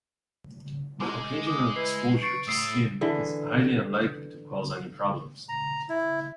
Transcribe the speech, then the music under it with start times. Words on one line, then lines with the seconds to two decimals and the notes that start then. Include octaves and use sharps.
Occasional exposure to skin is highly unlikely to cause any problems.
1.00 G#3 G#4 D6
1.47 D6 D#6
1.76 E4 B4 C7
2.22 C#6 A6 C7 D7
2.48 A2 D#6 E6 C7
3.01 D3 E3 G#4
5.49 A#5
5.89 E4